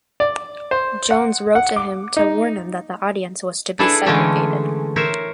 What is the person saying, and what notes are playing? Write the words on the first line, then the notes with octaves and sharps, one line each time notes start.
Jones wrote to him to warn him that the audience was to be segregated.
D5
C5
F#5
F#5
D6
D#4
D4 E4 G#4 A4 B4 D5
D3 E3 G#3 A3 C#4 D4
A#4 C5 C#5 E5